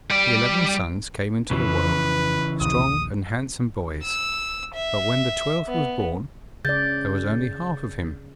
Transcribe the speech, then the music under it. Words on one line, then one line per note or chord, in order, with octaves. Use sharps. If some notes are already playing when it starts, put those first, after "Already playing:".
The eleven sons came into the world, strong and handsome boys; but when the twelfth was born, there was only half of him.
G3 D5
F2 C#3 E3 B4
A#1 D#2 D#6
E6
E5
B3
C#3 D5 G6 A6